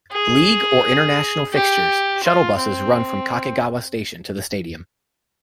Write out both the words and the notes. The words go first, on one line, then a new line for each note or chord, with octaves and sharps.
League or international fixtures, shuttle buses run from Kakegawa station to the stadium.
G#4
G4
F4
C4